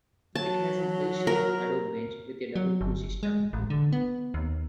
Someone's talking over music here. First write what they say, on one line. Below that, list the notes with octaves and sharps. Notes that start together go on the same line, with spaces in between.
It has an 'L' shaped adobe bench with a double flue system.
F#3 A5
A#4
F#3
G1
G#3
A1
D3
B3
D#2